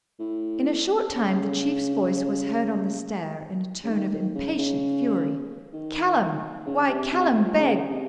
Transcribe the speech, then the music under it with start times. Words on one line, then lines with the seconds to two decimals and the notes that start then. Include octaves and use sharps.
In a short time the Chief's voice was heard on the stair in a tone of impatient fury: 'Callum! why, Callum Beg!
0.19 A2
1.12 C#3
3.84 C#3
3.89 D#3
4.12 D#3
4.35 C#3
4.59 C#3
5.73 D#3
6.66 C#3
6.88 C3
7.12 C3
7.35 F3
7.58 C#3
7.90 C3